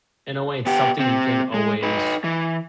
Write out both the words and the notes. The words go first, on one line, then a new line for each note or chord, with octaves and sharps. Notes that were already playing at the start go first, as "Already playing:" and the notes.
in a way, it's something you can always
B3 G4
C3 C4
G#3
D#4 B4
E3